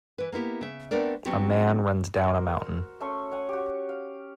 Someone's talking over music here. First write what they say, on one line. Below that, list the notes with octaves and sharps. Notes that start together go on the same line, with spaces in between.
A man runs down a mountain.
E3 B4
A#3 B3 E4 G4
C#3 E5
A3 B3 C4 D4 A#4 D5
F#3 B3 C4 D4 F#4 G4
F#4 A#4 C5 E6
E6
A3 C#4 C6 C#6
C#5 F#5 G#5
F#4 G4
F5